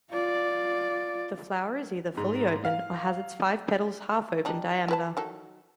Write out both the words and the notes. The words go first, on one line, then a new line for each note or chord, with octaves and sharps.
The flower is either fully open or has its five petals half open diameter.
F4 D5
G#2
F5
G3 D4 D#4
E4 B4 A5
D#3 F#3 A4